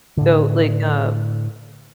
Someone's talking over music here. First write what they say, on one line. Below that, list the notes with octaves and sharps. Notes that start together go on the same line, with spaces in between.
So, like, uh,
A2 D3